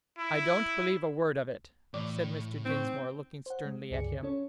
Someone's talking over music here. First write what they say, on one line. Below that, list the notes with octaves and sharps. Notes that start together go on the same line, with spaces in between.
"I don't believe a word of it," said Mr. Dinsmore, looking sternly at him.
E4
A2 E3 D5 D6
C4 D#4 C#6
C5 F#5
G#3
C#2 G2 D3 G#4 D5 C#7
C#4 A4 C#5